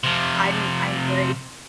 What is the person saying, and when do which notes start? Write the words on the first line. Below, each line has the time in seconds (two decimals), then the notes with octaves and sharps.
I'm I'm very
0.04 C3 F3